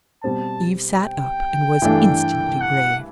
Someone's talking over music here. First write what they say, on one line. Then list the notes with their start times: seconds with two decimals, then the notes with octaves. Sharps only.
Eve sat up and was instantly grave.
0.23 B2 G3 C4 A5
1.02 G5
1.82 G2 E3 A3 D4 A4
2.61 F#5